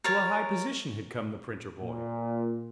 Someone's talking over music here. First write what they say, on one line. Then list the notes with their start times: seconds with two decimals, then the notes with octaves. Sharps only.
To a high position had come the printer-boy.
0.04 A#4 C#5 A5
1.81 A#2